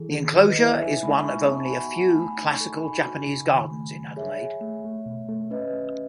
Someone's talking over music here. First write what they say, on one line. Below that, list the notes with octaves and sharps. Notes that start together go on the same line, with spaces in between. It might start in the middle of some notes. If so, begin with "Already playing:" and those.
The enclosure is one of only a few classical Japanese gardens in Adelaide.
Already playing: E3 G#4 A4
D#3 G#4
A4
F#3
B4 D#5
E4
C#5 E5
D#4 E5 G#5
G#3 G#5 B5
D#4 A5 C#6
B3 A5 C#6
G#5 B5
F#4
F#5 A5
F#4
F#5 A5
A3 G#5 B5
D#4
A5 C#6
A4
D#4 G#5 B5
F#4
C#3
D#3
A3
F#3
G#4 C#5 E5
G#4
A3
A3
B2
A3
C#4 B4 D#5
C#4